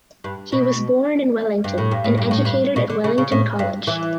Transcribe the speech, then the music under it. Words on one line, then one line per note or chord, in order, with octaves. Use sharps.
He was born in Wellington and educated at Wellington College.
G2
B2
G2
A2
G2
A2
G2
A2
G2
B2
D3
C#3
C#3
A2
G2
E3